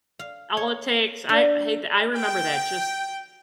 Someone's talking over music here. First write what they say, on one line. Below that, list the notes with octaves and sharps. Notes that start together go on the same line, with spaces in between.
All it takes I hey th I remember that. Just
F5
C#5
D4
G5